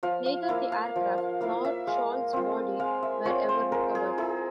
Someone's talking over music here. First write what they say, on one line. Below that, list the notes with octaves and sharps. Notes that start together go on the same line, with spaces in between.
Neither the aircraft nor Scholl's body were ever recovered.
F3 F5
F5
A#3 E4 F5
F5
F3
F5
A#3 E4 F5
E5
G#3 F5
C4 F4
G#3 F5
E5
C4 F4 C#5
C5
G#3 A#4
G#4
E4 G#4